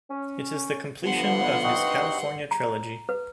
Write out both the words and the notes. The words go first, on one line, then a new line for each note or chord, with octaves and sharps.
It is the completion of his California trilogy.
C#4
G2 D3 F3 B3 F#5 C6
C4 D#4 F#4
A#5
B4